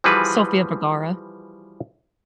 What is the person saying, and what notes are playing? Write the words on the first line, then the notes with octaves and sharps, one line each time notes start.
Sofia Vergara.
E3 F3 G3 F#4 G#4 B4